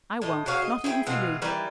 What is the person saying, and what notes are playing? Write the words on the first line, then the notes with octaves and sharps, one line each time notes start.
I won't, not even for you.
A2 D#5
F#4 G#4 C#5 F5
D#5
E4 G#4 B4 G5
B2 E3 G#3 F4
D#3 E3 G3 B4